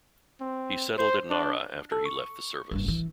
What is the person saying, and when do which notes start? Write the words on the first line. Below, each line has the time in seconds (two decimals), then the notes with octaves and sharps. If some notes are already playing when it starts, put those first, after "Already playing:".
He settled at Nara after he left the service.
0.41 C4
0.98 C5
1.30 D4
1.92 A4
2.05 C#6
2.71 F#1 G2
2.88 E3